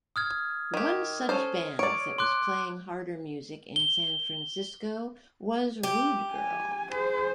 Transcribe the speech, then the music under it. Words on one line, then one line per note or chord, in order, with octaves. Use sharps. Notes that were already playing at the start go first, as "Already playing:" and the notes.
One such band that was playing harder music in San Francisco was Rude Girl.
D#6 F6 G#6
D#3 G4
C#4 A4 C5
C#5 D5 D7
C6 D6 F#6
G7
G4
G#5
G#4 C5